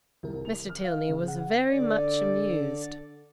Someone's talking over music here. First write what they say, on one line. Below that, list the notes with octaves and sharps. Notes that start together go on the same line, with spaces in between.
Mr. Tilney was very much amused.
C2 D#3 A#4
F7
F6
F5
C#3
F#5
D3 D5